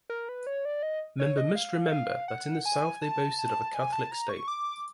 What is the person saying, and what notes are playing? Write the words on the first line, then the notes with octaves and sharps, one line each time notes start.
Member must remember that in the South they boasted of a Catholic State.
A#4
B4
C#5
D5
D#5
C#5
D#5
F5
F5
F#5
G#5
A5
A5
G#5
A5
A#5
C#6
D6